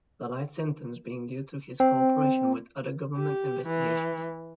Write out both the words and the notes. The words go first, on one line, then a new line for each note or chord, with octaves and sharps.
The light sentence being due to his cooperation with other government investigations.
C4
G4
E3